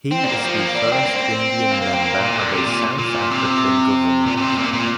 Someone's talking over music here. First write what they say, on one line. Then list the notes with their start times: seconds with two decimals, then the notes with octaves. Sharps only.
He is the first Indian member of a South African government.
0.12 C4
0.24 G3
0.28 A#3
0.44 F3
0.60 A#3
0.75 D4
0.92 C4
1.04 A#3
1.16 C4
1.72 A#3
1.82 A#3
1.93 C4
2.03 A#3
2.19 A#2
2.35 D3
2.51 C3
2.67 A#2
2.98 A#2
3.31 C3
4.26 A#2
4.37 A#2
4.42 C3
4.58 A#2
4.73 A#2